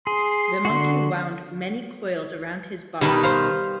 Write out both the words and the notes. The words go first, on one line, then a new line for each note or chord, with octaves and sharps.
The Monkey wound many coils about his body.
G#4 C6
D3 F#4
B2 D#3 G3 B4
C5 F5